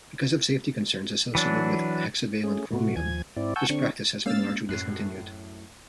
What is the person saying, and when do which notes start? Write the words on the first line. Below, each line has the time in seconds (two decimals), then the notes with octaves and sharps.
Because of safety concerns associated with hexavalent chromium, this practice has been largely discontinued.
1.35 E3 F#3 D4
2.44 A3 C#4 G#4
2.73 A2 C3 A3 F#4
2.96 D#2 F3 G#5 G#6
3.36 G#2 C4 E4 D5
3.56 F#5 G#5 A5 C#6 E6 G6
3.69 D3 C4 D4 C#6
4.26 G#3 A#3 C#4 F5 E6 A6
4.69 F#2 A2 F#6 C7